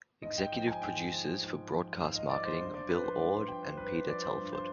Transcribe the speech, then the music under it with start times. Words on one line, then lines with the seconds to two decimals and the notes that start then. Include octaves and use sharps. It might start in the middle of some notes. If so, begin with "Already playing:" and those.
Executive Producers for Broadcast Marketing, Bill Orde and Peter Telford.
0.22 G#2 D#5
0.38 G5
0.52 F3 G5
0.68 G#5
0.81 G#2 G5
1.12 F3
1.42 G#2
1.70 F3
2.00 G#2 F5
2.15 D#5
2.29 F3 D5
2.45 C5
2.59 G2 C5
2.74 D5
2.89 F3 B4
3.04 C5
3.18 G2 D5
3.34 C6
3.48 F3 G5
3.63 C5
3.77 G2 B4
3.93 C5
4.07 F3 D5
4.23 C5
4.37 G2
4.53 C5